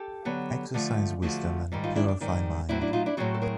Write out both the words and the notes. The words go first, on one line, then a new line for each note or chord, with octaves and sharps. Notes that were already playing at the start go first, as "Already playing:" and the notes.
Exercise wisdom and purify mind.
Already playing: G4 A4
D3 F#3 B3
D3 F3 A3
D3 F3 A3 F#4 G#4
G#2 D#3 G3
D#4 F4
D4 E4
D4
G#2 D#3 G3
A2 F#3 A3 C4 D4 E4
D4 E4
D#4 F4
D4 E4
A2 F#3 A3 C4 F#4 G#4
A4
G#4 A#4